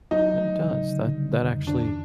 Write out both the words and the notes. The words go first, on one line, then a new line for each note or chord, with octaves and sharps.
But it does, that that actually
F#3 D#4
A3
C#3
D3
G3
F2
D#3 D4